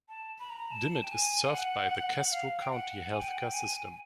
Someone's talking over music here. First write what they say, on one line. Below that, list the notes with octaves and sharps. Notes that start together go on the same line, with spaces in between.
Dimmitt is served by the Castro County Healthcare System.
A5
B5
A#5
A5
G5
G#5
F5
F#5
F#5
F5
G5
F#5
G#5
G5
F#5
G5
G#5